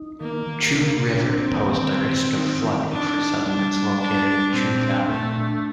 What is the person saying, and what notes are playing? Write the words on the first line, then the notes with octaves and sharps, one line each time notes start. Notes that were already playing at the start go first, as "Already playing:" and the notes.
Chu River posed a risk of flooding for settlements located in Chu Valley.
Already playing: D#4
D#3 A#3
D#3
C3 A#3
D4
A#3 C4
D#3
D#3
D#3
D#4
D#3
D4 D#4
D#4
G3 D4
G3
G3 D4
G3
A#2 C4
D4
A#2 A3
D4